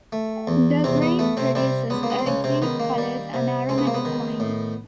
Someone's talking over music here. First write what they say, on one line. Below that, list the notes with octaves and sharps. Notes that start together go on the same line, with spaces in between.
The grape produces a deep-colored and aromatic wine.
A3
E2
E2 C3 C4
B3
A3 B3
C3 C4
C3 G3 C4
C#2 B3
A#3
B3
C4
C#2 C#3 C#4
C3 C4
D#3 B3
A#3
G3
C3
C#2 C4
B3
A#3
B3
D#3
A2